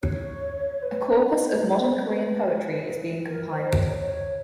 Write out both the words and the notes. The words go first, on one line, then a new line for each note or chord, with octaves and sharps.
A corpus of modern Korean poetry is being compiled.
C#5
B4
B4
C5
B4
A#4
C5
C#5
C#5